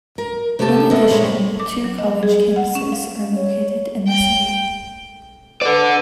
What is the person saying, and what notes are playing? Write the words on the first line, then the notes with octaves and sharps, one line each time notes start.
In addition, two college campuses are located in the city.
A#4
C3 A3 B3 G4 A5
A#3 B3 A4 A#4 D#5 E5
A#2 G#3 C5 C#5
D6
F#3
D#5
G#4
F#5
C#4
F5
C#5
G5
A4 B4 D5